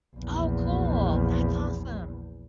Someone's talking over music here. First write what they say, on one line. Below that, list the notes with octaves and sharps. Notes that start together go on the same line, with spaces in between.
Oh, cool! That's awesome.
A#1 E2